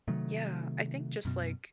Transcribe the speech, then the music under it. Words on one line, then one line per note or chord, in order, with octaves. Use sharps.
Yeah, I think just like
C3 D#3 F#3 A3
F#2 B2